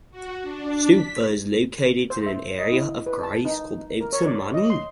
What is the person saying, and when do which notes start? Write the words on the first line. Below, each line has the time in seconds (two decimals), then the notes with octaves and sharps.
Stoupa is located in an area of Greece called Outer Mani.
0.11 F#4
0.42 D4
0.88 B6
2.10 C5
2.26 E5
2.59 D#5
2.72 E4
3.06 B4
3.23 A5
3.45 D#4
4.01 A#4
4.13 C#5
4.27 D5
4.54 D#5
4.70 C6